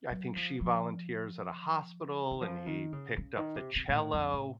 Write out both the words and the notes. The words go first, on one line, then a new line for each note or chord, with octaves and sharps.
I think she volunteers at a hospital and he picked up the cello.
F#3
F3
F3
D#3
F3
D#3
C#3
C#3
D#3
C3
C3
A#2
A2
F2
A2